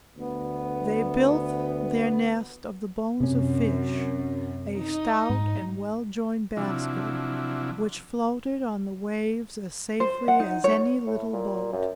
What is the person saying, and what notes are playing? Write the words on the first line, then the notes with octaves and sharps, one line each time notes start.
They built their nest of the bones of fish, a stout and well-joined basket which floated on the waves as safely as any little boat.
D2 B3
F#2 C3 C#4
D#4
G#2
C3 F3 F#3 D4 E4
C5
F#5
D#4
C#5
A2
A#2
F#2